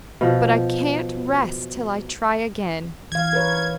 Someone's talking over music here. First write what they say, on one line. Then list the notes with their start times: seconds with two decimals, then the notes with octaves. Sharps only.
"But I can't rest till I try again."
0.21 B2 F3
3.12 E3 F5 G#6
3.33 A#4 B4 C#5